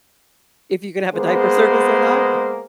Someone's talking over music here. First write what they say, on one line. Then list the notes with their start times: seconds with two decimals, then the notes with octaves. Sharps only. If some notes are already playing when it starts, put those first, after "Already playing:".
If you could have a diaper service or not?
1.15 G#3 A#3 B3 G#4 C5